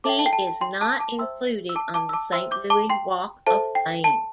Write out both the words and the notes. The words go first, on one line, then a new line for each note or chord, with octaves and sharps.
He is not included on the Saint Louis Walk of Fame.
A4 E5 G5 A5 D6
A5
G5
A5
A5
G5 C6
A5 D6
A5 D6
C5 E5 G5 C6 E6
E6
A5 D6
A5 D6
E6
A5 D6
C5 E5 G5 C6 E6
D6 G6
A5 D6
G5 C6
A4 C5 E5 A5
G5
A5